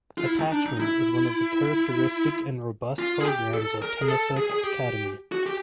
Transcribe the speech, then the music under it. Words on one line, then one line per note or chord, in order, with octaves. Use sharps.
Attachment is one of the characteristic and robust programmes of Temasek Academy.
F4
E4
D#4
D4
D#4
E4
F4
G#4
G4
A4
A#4
G#4
A4
G#4
G#4
G4
F#4
G4